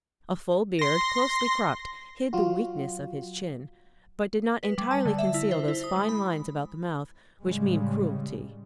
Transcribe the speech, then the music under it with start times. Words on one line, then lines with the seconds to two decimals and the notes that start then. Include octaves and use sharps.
A full beard, closely cropped, hid the weakness of his chin, but did not entirely conceal those fine lines about the mouth which mean cruelty.
0.79 C6 A#6
2.33 F#3 F4 F#4
4.63 B4
4.78 G3
4.91 A5
5.05 D3
5.18 E5
5.34 E4
5.51 C5
5.68 E4
5.84 D#6
5.96 G#3
6.09 B5
7.43 A2 C#3 G3 G#3